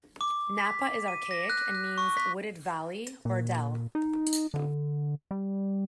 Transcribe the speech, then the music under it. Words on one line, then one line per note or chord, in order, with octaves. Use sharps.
"Napa" is archaic and means "wooded valley" or dell.
D6
B6
D#7
A#6
F#6
F#6
C#6
B6
A#2
D#4
D3
G3